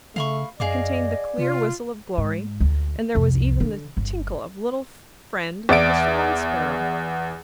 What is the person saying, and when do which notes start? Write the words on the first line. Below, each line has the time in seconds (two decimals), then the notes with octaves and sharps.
It contained the clear whistle of Glory, and there was even the tinkle of Little Friend the Song Sparrow.
0.16 C#3 A3 F5 B5 C#6
0.60 F#2 G#4 D5 D#5 F5 D6
1.38 C3 F4
2.18 G#2
2.60 D2
3.15 C2 F2
3.60 D3
3.97 G1
5.69 E2 D5 E5 A6 D7